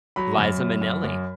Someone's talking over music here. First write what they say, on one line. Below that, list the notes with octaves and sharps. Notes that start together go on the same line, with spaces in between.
Liza Minnelli.
F#3 B5
F#2
F#2
F#2
F#2